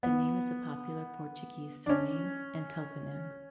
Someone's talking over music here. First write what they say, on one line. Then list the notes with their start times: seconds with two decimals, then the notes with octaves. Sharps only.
The name is a popular Portuguese surname and toponym.
0.03 B3
1.86 D4
1.89 C#4